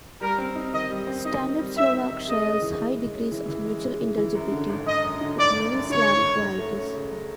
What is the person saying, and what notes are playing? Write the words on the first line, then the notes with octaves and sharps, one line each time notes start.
Standard Slovak shares high degrees of mutual intelligibility with many Slavic varieties.
G3 A#4
C4
D#4
D#3 D#5
G3
C4
D#4 D#5
D#3
G3
C4 E5
D#4
D#3
G#3 D#5
C#4
E3
E3
G#3
C#4
E3
E3
G#3
C#4
E3
E3
F#2
D3
G#1
G#1 D#5
F#2
D3
G#1 D5
G#1
F#2
D3 C#5
G#1
G#1
F#3
A3
C#4
C#3
F#3